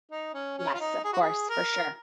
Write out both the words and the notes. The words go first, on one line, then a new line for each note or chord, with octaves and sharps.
Yes, of course, for sure.
D#4
C#4
C#4
F4
D#4
G#4
F#4
G#4
A#4